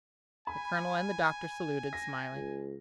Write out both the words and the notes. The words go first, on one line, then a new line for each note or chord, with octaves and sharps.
The colonel and the doctor saluted, smiling.
G#5 B5
A#6
C#2